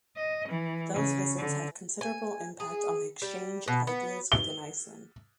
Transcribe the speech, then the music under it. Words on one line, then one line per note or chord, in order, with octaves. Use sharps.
Those visits had considerable impact on the exchange of ideas within Iceland.
D#5
E3
C#3
D3
G#5
G#4
G3
B2
B3
G7